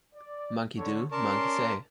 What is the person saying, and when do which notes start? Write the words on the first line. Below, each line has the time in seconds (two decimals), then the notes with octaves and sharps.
Monkey do, monkey say.
0.14 D5
0.77 D3 C#5
1.12 C#4 A#4 D5 A5 C6